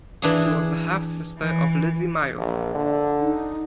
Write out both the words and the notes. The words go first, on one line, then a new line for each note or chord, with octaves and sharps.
She was the half-sister of Lizzie Miles.
E3 D4 G#4
E3
A#1
D3
D#4